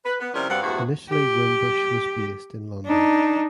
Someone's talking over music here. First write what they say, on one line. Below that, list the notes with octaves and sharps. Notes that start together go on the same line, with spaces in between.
Initially Wimbush was based in London.
B4
B3
C3 F3 G3 C#4 E4 A#4
G2 G3 C4 F#4 F5 F#5
E2 G2 F3 A3 F#4
G4
D4 D#4